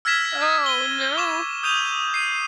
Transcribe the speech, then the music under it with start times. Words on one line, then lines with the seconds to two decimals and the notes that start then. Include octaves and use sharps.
Oh, no.
0.05 E6 F6 G#6 A#6 B6 E7
0.66 D#7 G7
1.17 C#6 D6 E7 G7
1.63 D#6 G6 D#7 F7
2.14 C7 D#7